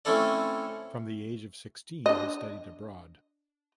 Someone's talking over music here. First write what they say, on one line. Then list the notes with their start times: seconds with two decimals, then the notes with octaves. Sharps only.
From the age of sixteen he studied abroad.
0.05 A3 C4 C#4 E4 A4 D5
2.06 D4 D#5